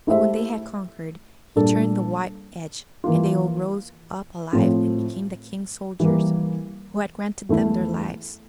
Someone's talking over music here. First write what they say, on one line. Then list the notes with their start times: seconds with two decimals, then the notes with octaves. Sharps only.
But when they had conquered, he turned the white edge, and they all rose up alive and became the King's soldiers, who had granted them their lives.
0.07 A3 E4 G4 C5 E5
1.56 A#2 G3 D4 A4
3.04 E3 A#3 F4
4.53 A2 F3 C4
6.00 E3 G3 A#3
7.49 E2 E3 A3 E4